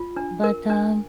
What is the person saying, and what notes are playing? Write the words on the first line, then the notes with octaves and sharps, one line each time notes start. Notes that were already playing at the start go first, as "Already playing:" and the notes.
but, um,
Already playing: F4
D4
A#4
D4